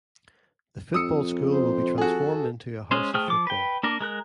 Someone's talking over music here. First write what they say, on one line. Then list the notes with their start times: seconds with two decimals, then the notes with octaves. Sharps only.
The football school will be transformed into a House of Football.
0.94 F2 D#6 E6 C#7
1.52 C5
1.98 F#4 G#4 A4
2.91 G#3 C#4 C5
3.14 A3 G#4 C5 G5 F6
3.28 F3 D6
3.47 B4 G5
3.83 A#3 D4 A#4
4.01 G#3 A#4 F#6